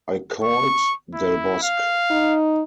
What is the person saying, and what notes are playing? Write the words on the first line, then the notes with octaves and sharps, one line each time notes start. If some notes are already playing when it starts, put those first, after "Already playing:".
I called Del Bosque.
C#6
E4
F5
D#4